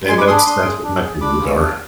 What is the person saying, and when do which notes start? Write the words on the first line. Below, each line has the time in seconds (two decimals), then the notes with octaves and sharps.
And that's that's what my feelings are.
0.09 G#3 G#5 C6
0.18 B5 D6
0.27 D4 G#4 C6 D#6
0.37 B5 D6
0.46 D4 C6 D#6
0.65 G#4
0.83 D4
1.03 G#4
1.21 D4 B5 D6
1.40 F4 G#4
1.58 D4